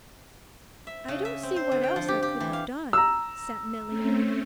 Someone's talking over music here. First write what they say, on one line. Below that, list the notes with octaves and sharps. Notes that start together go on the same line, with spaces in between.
"I don't see what else I could have done," said Milly.
E5
C#3
E5
C4
C5
D3
G5
F3
G4
G4
E3
F5
A#5 E6
A3 C4 C#4